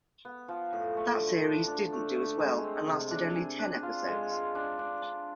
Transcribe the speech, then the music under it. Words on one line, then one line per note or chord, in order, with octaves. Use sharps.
That series didn't do as well, and lasted only ten episodes.
B3
F3
A2
A3
D3
D4
D4
A3
A3
G#3
C4
C3
D4
G#4
D4
F4
G#3
F4
D4
D4
D4